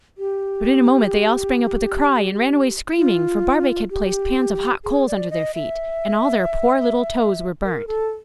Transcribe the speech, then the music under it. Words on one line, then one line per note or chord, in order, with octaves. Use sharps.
But in a moment they all sprang up with a cry, and ran away screaming, for Barbaik had placed pans of hot coals under their feet, and all their poor little toes were burnt.
G4
F4
G4
G#4
D5
D#5
E5
A#4
A4